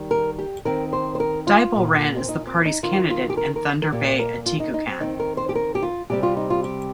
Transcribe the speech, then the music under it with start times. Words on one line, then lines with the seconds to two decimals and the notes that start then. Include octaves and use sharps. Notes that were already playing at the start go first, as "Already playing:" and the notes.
Deibel ran as the party's candidate in Thunder Bay-Atikokan.
Already playing: D#3 G3
0.11 A#4
0.39 G4
0.65 D#3 C4 A#4
0.93 C5
1.15 C5
1.20 A#4
1.47 F4
1.74 A#2 A#3
2.17 C4
2.29 D#4
2.47 C4
2.65 D#4
2.83 D#3 C4 F4
3.10 F4
3.30 G4
3.37 A#4
3.56 A#4
3.82 A#4
3.92 A#2 A#3 G4
4.19 A#4
4.46 F4
4.60 D#4
4.74 D#4
4.87 C4
5.00 D#3 C4 D#4
5.20 A#4
5.37 C5
5.49 G4
5.55 A#4
5.75 G4
5.82 F4
6.10 C3 G3 C4 G4
6.23 F4
6.37 D#4
6.50 F4
6.64 G4